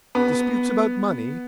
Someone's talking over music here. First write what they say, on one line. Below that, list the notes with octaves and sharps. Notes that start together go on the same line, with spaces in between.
"Disputes about money?"
B3